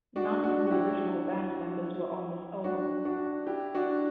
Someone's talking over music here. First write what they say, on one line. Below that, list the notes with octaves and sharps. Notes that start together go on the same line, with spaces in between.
None of the original band members were on this album.
D4 F#4
D4 F#4
F#4
E4 G4
D4 F#4
D4 F#4
E4 G4
D4 F#4